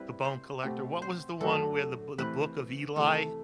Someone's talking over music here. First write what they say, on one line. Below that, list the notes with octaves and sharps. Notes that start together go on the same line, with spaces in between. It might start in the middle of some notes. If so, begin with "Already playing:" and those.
The Bone Collector, what was the one where, The Boo The Book of Eli?
Already playing: G3 C4 E4 B4
C5
B2 A3 C4 G4
C5
F#2 D3 A3 D4 F#4 A4
E3 A3 C4 G4 B4
C3 E3 A3 A4